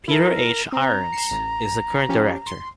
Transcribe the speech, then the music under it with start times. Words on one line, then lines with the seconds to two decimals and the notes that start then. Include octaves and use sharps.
Peter H. Irons is the current director.
0.08 E4 A4 A#4
0.72 C4 A#5
1.13 C7 C#7 E7
1.31 A1
2.09 F3 C#4 G4
2.47 C6